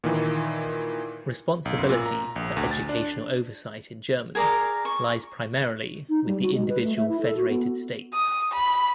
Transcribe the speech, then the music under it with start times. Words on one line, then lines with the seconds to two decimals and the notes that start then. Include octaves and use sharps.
Responsibility for educational oversight in Germany lies primarily with the individual federated states.
0.04 A#2 D#3 E3
1.65 B1
1.78 F#2
1.89 A#2
2.05 A#5
2.36 A#1
2.57 D2
2.71 A6
2.89 D4
4.35 G#4 A#4 D5 A#5
4.85 C#6
6.09 D#4
6.27 G3
6.42 F#4
6.54 G#3
6.68 B4
6.83 A3
6.97 E5
7.09 E4
7.21 A4
7.37 F#4
7.49 B3
8.13 D#6
8.52 B5